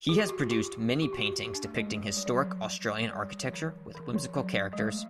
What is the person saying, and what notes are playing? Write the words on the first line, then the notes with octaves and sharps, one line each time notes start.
He has produced many paintings depicting historic Australian architecture with whimsical characters.
G#4
G4
F#4
F4
G4
G4
F#4
G4
G4
D4
A3
G#3
G#3
G3
G3
F#3
F3
F#3
G3
G3
F3
D#3
E3
F3
F#3
G#3
A3